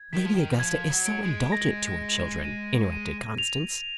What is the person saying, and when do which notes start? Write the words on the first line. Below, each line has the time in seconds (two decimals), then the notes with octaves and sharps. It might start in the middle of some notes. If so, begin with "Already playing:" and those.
"But Lady Augusta is so indulgent to her children!" interrupted Constance.
Already playing: G#6
0.13 D#3 B6
0.24 F3
0.35 D#3
0.60 F3 G#6
0.90 F#3
1.05 D7
1.22 G#3
1.52 A#6
1.99 A#6
2.45 D#7
2.92 D#7
3.38 F7